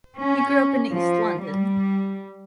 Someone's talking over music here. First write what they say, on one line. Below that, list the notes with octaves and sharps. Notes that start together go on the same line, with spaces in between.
He grew up in East London.
C#4
F3
G3